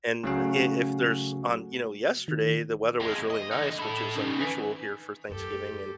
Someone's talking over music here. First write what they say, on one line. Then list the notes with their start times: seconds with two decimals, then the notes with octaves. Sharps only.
And i if there's on you know, yesterday, the weather was really nice, which is unusual here for Thanksgiving, and
0.23 C#3 F#3 A3 C#4 F#4
2.28 D#3
3.00 F2 G#3
3.31 D#5
3.51 D3 D#4
3.79 E4 A4
4.15 C#4 D#4
4.39 B4 G#5
5.29 F#2 A3 G4 A4